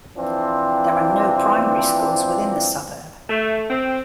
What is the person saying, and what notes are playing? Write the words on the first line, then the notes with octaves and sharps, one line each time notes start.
There are no primary schools within the suburb.
E3 F3 C4 D4
A3
C4